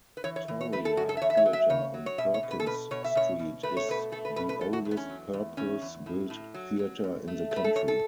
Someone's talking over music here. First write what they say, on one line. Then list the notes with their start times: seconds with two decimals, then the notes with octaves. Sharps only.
Victoria Theatre on Perkins Street is the oldest purpose-built theatre in the country.
0.17 B4
0.24 E3 C#5
0.36 C#5
0.48 E3
0.61 C#5
0.72 A3 B4
0.85 A4
0.97 F#2 F#4
1.09 A4
1.17 E5
1.21 E2 C#5
1.30 E5
1.37 C#5
1.46 F#3
1.53 E5
1.70 C#3 C#5
1.94 F#3
2.06 C#5
2.18 B2 E5
2.34 C#5
2.43 B2
2.51 B4
2.60 A4
2.66 B2 B4
2.91 B2 C#5
3.04 E5
3.15 B2 C#5
3.39 B2
3.63 A3 B4
3.77 C#5
3.89 B2 B4
4.12 A3 A4
4.25 B4
4.36 B2 B4
4.49 B4
4.61 E2 A4
4.73 F#4
4.85 E2
4.91 B3
4.97 C#4
5.10 F#3
5.33 E2
5.57 E2 C#4
5.82 E2
6.06 A2
6.30 A2
6.54 F#3
6.79 F#3
7.04 F#2
7.28 A3
7.51 A3 B4
7.64 A4
7.76 F#2 C#5
7.88 A4